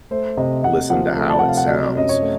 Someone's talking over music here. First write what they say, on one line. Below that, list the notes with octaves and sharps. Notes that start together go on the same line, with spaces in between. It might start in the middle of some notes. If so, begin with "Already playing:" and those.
listen to how it sounds.
A3 C5
C3 D#5
C3 F#5
F3 F#5
A3
A5
F#5
C3
F5
F#5
F#3 D#5
F#2 D#5
C#5
A3